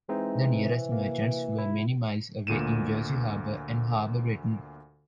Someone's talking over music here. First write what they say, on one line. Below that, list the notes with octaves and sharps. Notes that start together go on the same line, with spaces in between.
The nearest merchants were many miles away in Jersey Harbour and Harbour Breton.
E3 G#3 C4 D#4
C3 F#4
A#3
E4
D2 A#2 D#7 E7